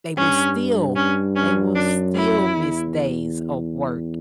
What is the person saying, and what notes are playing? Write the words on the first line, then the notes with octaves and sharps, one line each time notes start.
they will still they will still miss days of work,
G2 C#4
C#4
C#4
F#2 D4
E4
E2